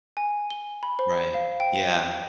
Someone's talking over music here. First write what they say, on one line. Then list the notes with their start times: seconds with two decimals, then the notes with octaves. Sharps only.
Right. Yeah.
0.17 G#5
0.50 G7
0.83 B5
0.99 C5
1.34 F5
1.60 G5